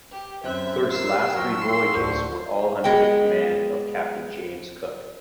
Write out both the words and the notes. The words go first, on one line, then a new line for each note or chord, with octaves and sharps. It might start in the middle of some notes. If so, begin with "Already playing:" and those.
Clerke's last three voyages were all under the command of Captain James Cook.
G4
F#2 C4 E5 F#6
A#3 F4 E6 C7
F3 F#3 A#4 F#5 G5 C#6 E6
C6 C7
D1 D4 F#4 C5 C#6
G#3 B3 G5